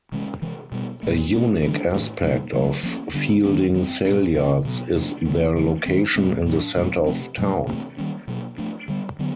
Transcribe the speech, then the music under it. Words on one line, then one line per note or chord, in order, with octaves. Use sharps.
A unique aspect of Feilding Saleyards is their location in the centre of town.
C3 E3 G#3 C#4
C3 E3 G#3
B2 G3 B3
A#2 F#3 A3
B2 G#3 C4
D#3 G3 A#3 D4
A2 E3 A3 D4
B2 G3 A#3
C#3 F#3 A3
F3 A#3 C#4
D3 G3 B3 D4
D#3 G3 A#3 C#4
E3 G3 C4
A#2 G3 B3 D4
C3 F3 A#3 C#4
B2 F#3 B3
C3 F3 A3 D4
D3 F3 A#3
C#3 F3 A3
D#3 G#3 C4
B2 G#3 C4
A2 F#3 B3 D4
B2 F#3 A3 C4
C3 F3 A3 C4
B2 F#3 A3
C3 E3 A3 C4
D#3 G3 A#3 C#4
B2 F#3 A#3
F3 A3 D4
D3 G3 B3
D3 F#3 B3